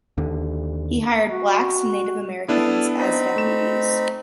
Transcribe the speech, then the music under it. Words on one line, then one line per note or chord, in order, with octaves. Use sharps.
He hired blacks and Native Americans as deputies.
D#2 D3
F#4
B3 D4 E4 A4 D#6 F6
C4 D#4 B5
A3 E7